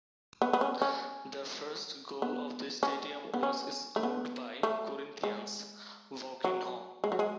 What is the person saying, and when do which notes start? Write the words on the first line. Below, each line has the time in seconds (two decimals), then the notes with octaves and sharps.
The first goal of the stadium was scored by Corinthians' Vaguinho.
0.42 B3
0.53 B3
0.61 C#4
0.82 C#4
2.22 B3
2.83 C#4
3.34 B3
3.43 C#4
3.96 A3
4.03 B3
4.63 A3
5.23 G#3
6.44 F#3
7.04 G#3
7.12 F#3
7.19 G#3